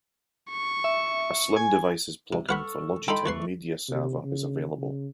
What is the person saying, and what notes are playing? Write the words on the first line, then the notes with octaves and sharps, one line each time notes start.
A Slim Devices plugin for Logitech Media Server is available.
C#6
E5
G#5
C3
A4 B4 F#5 B5 C#6 F6
D#4 A4 G5 B5 C6
E2 E3 A3 B4 C6 C#6
C3
C#3
C#3